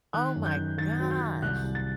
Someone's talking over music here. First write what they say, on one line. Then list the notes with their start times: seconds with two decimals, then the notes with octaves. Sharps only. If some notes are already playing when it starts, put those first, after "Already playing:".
Oh my gosh.
0.14 D#3 F#6
0.36 F#2
0.46 G6
0.56 D#3
0.78 D#3 A6
1.00 F#3
1.10 G6
1.21 F#3
1.42 C2 F#6
1.64 C2
1.75 A6